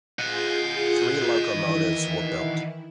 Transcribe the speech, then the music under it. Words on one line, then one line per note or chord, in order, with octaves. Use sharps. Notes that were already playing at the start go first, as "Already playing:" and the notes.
Three locomotives were built.
F4 G#4 D#5 F#5 G6
D#3 E3 E4